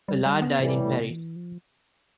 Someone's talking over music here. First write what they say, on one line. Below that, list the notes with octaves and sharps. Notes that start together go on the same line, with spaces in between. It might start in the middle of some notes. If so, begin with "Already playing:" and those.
Alard died in Paris.
G3
G3
B3
A2 C3 E3 G3
E3
F3